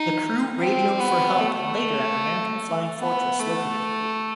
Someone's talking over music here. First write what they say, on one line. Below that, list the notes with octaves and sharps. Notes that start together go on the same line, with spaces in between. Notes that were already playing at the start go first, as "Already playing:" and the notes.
The crew radioed for help and later an American Flying Fortress located the crew.
Already playing: D#4
C4
B3
A3
B3
A3